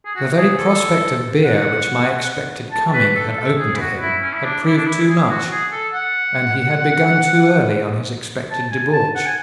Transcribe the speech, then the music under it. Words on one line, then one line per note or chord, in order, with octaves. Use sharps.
The very prospect of beer which my expected coming had opened to him had proved too much, and he had begun too early on his expected debauch.
G#4
F#4
G#4
A4
F#5
A5
B4
A4
A4
G#4
E4
F#4
E4
C#4
E4
D4
E4
D4
E4
G#4
F#4
G#4
A4
F#5
A5
G#5
A5
F#5
G#5